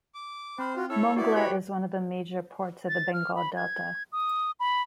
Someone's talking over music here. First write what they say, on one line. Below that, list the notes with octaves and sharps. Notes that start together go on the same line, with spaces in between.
Mongla is one of the major ports of the Bengal delta.
D6
C4 C5 B5 F6
F4 F#4
E4 A4 C#5 E6
B3 E4 F#4 D5 F#5
G4 B4 C#5 G5 B5
A6
F6
B5
G#6
D#6
B5